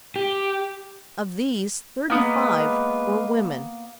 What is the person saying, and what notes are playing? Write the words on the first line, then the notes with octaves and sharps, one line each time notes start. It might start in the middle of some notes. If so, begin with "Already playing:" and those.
Of these thirty-five were women.
G4
G#3 A#3 B3 B4